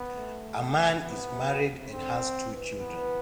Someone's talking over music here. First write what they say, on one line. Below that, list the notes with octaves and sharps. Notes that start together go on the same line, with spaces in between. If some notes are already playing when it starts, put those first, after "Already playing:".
Ammann is married and has two children.
Already playing: B3
A3
C3 B3
C3
B2
C3
D3 C4
E3
B3